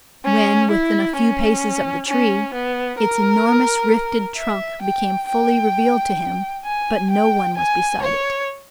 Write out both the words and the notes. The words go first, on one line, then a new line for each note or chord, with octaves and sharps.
When within a few paces of the tree, its enormous rifted trunk became fully revealed to him; but no one was beside it.
C#4
E4
C#4
C#4
B3
A#4
E5
G5
G5
G#5
G5
G#5
C#5